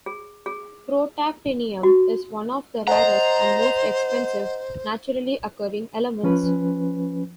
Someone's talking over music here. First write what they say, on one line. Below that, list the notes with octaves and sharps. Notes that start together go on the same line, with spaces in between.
Protactinium is one of the rarest and most expensive naturally occurring elements.
G#4
G#4
F#4
C5 D#5 F#5 A#5
F3 C#4 B4